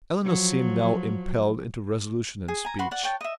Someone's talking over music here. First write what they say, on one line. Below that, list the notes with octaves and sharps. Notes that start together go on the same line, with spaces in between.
Eleanor seemed now impelled into resolution and speech.
F3 F#3
G#4
G#5 A#5
F#4 B4 B5 C6
D5 F#5
C#5 G5 A5
D#5 E5